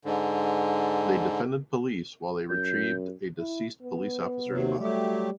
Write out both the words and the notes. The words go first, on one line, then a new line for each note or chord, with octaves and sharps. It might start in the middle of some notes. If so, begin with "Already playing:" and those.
They defended police while they retrieved a deceased police officer's body.
G#2 D3
F#2 G6
E4
B3
D#2 C3 F#3
F#3 G3 A3 G4